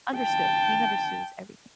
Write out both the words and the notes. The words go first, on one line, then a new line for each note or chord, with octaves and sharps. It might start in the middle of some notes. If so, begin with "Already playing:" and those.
understood, being understood is everything.
G5 A5